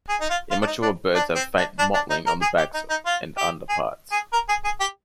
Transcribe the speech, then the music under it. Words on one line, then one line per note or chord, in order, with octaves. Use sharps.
Immature birds have faint mottling on the back and underparts.
G#4
D#4
F4
F4
D4
D#4
D4
D4
C4
D4
D4
D4
D#4
A#4
G#4
G4
D#4
D#4
F4
G4
G#4
G#4
A#4
G#4
G#4
G4